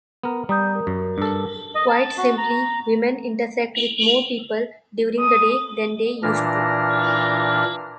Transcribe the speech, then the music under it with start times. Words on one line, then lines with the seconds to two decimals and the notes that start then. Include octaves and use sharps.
Quite simply, women intersect with more people during the day than they used to.
0.23 B3 A#4
0.49 G3 A#5 D#6 G6
0.75 A#4
0.87 F#2
1.18 G2 A4
1.75 D#5
1.88 A5
2.17 F#4
2.38 A#5
5.19 D#6
6.23 A#2 E3 D4 F6 A#6